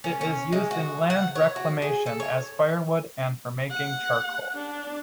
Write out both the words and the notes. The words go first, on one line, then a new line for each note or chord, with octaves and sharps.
It is used in land reclamation, as firewood and for making charcoal.
C#4
C#4
G#3
F#4
F#5
C#5
F#4
G#4
A4
C#5
F#5
D4